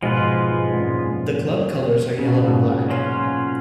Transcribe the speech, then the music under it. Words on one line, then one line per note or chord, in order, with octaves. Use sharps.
The club colours are yellow and black.
G#2 B2 F3 G#3 B3 F4 B4
F2 G#2
G#2
F#2 A#2
C#3
B2
A#2
G#2 B2
F#3 C#4 F4